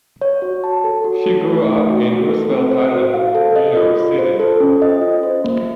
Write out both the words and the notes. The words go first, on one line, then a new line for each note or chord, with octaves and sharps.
She grew up in Roosevelt Island, New York City.
C#5
F#4
A5
A4
F#4
A3
A3
D#4
F#4
A3
A4
C4
C5
F#4
F5
A4
D#5
F4
F4
C5
A4
C#4
D#5
F4
C5
A#3